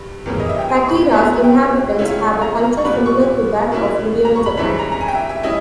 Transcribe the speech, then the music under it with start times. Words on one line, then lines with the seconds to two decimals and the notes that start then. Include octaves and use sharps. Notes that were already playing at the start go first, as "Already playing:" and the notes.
Patera's inhabitants have a culture similar to that of medieval Japan.
Already playing: G2 G3 B5
0.26 E2 C#3 G3 A#3 C#4
0.39 D#5
0.49 E5
0.59 G5
0.69 G#5
0.87 C#6
0.91 B5
1.12 B2 G#3 B3 E4 C#6
1.23 A#5
1.33 E5
1.44 G5
1.98 C#2 C#3 G#3 C#4 E4
2.42 A#5
2.63 A#5
2.77 C#6
2.85 A#2 G3 B3 B5
3.06 C#6
3.71 B2 A#3 C#4 E4
4.25 A#5
4.36 C#6
4.46 B5
4.57 G2 E3 G#3 C#4 E4 B5
4.79 A#5
4.92 A#5
5.01 G#5
5.08 G5
5.15 E5
5.29 E5
5.43 G3 C#4 E4 D#5